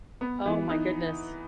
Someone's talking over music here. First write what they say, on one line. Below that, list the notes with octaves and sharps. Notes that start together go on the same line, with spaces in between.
Oh my goodness.
B3
E3
D#4